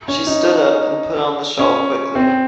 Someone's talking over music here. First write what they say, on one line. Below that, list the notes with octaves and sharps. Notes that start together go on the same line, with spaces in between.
She stood up and put on the shawl quickly.
C#4
D#4
C#4
C4